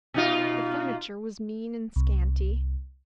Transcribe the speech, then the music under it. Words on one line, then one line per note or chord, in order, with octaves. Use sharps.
The furniture was mean and scanty.
B2 D#4 F4
C2